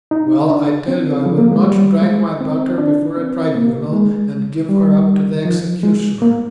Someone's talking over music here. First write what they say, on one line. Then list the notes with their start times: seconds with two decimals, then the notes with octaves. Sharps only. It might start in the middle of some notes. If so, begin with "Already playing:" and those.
Well, I tell you I will not drag my daughter before a tribunal, and give her up to the executioner!
0.11 D#4
0.50 D4
0.88 C4
1.26 F3
1.38 A#3
1.52 G#3
1.64 G3
2.02 G#3
2.41 C4
2.78 D4
3.17 C4
3.55 A#3
3.93 G#3
4.69 G3
5.45 F3
5.83 G#3
6.22 A#3